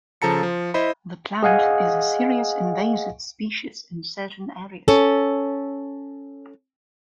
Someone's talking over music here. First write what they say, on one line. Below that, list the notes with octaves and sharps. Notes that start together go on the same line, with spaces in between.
The plant is a serious invasive species in certain areas.
C#3 F3 A4 A5 A#5 C#7
F3
E4 C5 D#5 B5
G#4 D#5 F5 F#5 G#5
C#4 A4